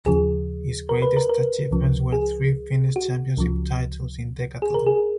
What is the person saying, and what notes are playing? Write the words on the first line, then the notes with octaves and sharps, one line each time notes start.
His greatest achievements were three Finnish Championship titles in decathlon.
D#2 C#3 F3 G#4
A#4
B4
A#4
A#4
C#2 C#3 F3
G#4
F#4
C#2 C#3 F3
G#4
A#4
G#4